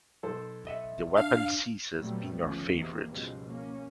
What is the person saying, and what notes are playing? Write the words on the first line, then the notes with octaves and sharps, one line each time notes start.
The weapon ceases being your favorite.
B1 A4 C5
D#5 E5 F#5
D4 F5
A#2 F#3 G3 A3 B3 C4
G#1 D2 F3 A3 C#4
E2 C3 D#3 A#3
C#2 G#2 B2 F3 G3 G#3
A#3 C#4